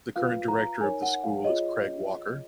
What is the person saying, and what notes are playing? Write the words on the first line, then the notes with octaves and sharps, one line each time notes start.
The current director of the School is Craig Walker.
F4 B4 F5
A#5
D#4 A#4 C#5 G#5
F#5
F5
F4 G#4 C#5 D#5